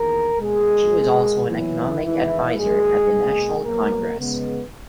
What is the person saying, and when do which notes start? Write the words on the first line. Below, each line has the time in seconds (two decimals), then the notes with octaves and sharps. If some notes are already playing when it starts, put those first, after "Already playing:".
She was also an economic advisor at the National Congress.
Already playing: E2 D#3 A#3 A#4
0.40 B2 G#3 A#3 G#4
0.94 A#2 A#3
1.48 A#2 E3 F#3 B3 E4
2.02 E2 D#3 E3 G#3 E4
2.56 G#2 D#3 F#3 G#3 A#3 G#4
3.10 B2 A#3
3.64 B2 F#3 A#3 B3 A#4
4.18 C#3 G#3 B3